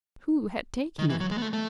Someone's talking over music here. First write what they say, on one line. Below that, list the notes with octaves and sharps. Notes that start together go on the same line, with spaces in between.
Who had taken it?
D#3
E3
F#3
G#3
B3
A3
A3